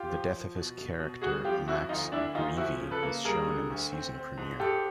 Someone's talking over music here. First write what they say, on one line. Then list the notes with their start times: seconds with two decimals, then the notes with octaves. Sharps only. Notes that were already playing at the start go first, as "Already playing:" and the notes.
The death of his character Max Greevey is shown in the season premiere.
Already playing: F4 G4
0.09 F3
0.32 F3
0.55 B2
0.78 B2
0.99 B2
1.21 G3 F#4 G#4
1.44 F2 F4 G4
1.67 F2 E4 F#4
1.89 D2 D#4 F4
2.12 D2 D4 E4
2.34 D2 D#4 F4
2.57 F3 E4 F#4
2.80 C#3
2.91 A4 B4
3.03 A#3
3.24 G3 G#4 A#4
3.47 D3
3.70 D2
3.92 C4
4.14 C4
4.37 G#2
4.60 G#2 G4 A4